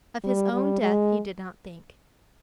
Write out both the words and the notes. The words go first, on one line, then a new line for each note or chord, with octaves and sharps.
Of his own death he did not think.
G3
G3
G#3